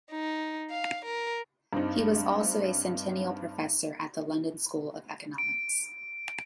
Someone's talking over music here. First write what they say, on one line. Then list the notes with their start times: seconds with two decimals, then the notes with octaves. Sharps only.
He was also a Centennial Professor at the London School of Economics.
0.11 D#4
0.70 F5
1.05 A#4
1.73 G2 C4 D#4
5.38 D7